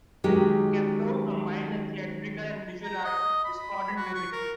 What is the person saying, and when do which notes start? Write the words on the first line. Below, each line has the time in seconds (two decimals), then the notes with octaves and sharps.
Kaprow combined the theatrical and visual arts with discordant music.
0.24 D#3 F#3 G#3 C#4 G4
2.83 A#5
3.05 D#5
3.45 B5
3.96 F#4
4.15 C#6
4.32 A#4